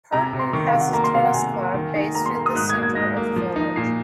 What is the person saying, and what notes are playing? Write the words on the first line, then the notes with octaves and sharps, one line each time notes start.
Purton has a tennis club, based in the centre of the village.
C3 A#5
A#5
C3
C6
D#3 C#6
F5
C3
F#5
A#3 A#5
C6
C3 F5
F#5
C3 G#5
A#3
D#3
D#4
A#3 A#5
C6
A#3 A#5
D#6
G#2 F#6
G#6
A#3
G#6
G#2 A#6
A#3
F3
D#4
A#2 C7